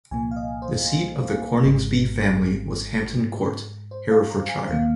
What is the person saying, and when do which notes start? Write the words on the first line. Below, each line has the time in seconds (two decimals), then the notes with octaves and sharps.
The seat of the Coningsby family was Hampton Court, Herefordshire.
0.11 C2 A#2 F3 A#3 G#5
0.31 F5
0.36 D#5
0.62 C5
1.63 G#1 G#2 G#3
3.16 G#2 G#3
3.91 C5
4.11 F5
4.30 A#5
4.49 G#5
4.68 D#2 D#3 A#3 F5